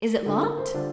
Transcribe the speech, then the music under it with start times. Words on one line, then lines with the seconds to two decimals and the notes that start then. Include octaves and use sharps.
"Is it locked?"
0.26 D3 G3 D4 F4 A4
0.42 A#4
0.58 C5
0.74 D3 G3 D4 F4